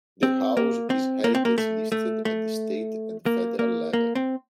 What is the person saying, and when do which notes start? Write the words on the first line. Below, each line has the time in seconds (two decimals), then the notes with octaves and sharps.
The house is heritage-listed at the state and federal level.
0.23 C4
0.57 A#3
0.90 C4
1.24 A#3
1.35 C4
1.45 A#3
1.58 A3
1.92 A3
2.25 A3
3.26 A#3
3.59 A#3
3.93 A#3
4.15 C4